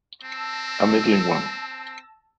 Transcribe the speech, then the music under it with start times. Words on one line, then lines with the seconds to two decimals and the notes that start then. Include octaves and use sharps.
A middling one?
0.24 C4 A5 E6 A#6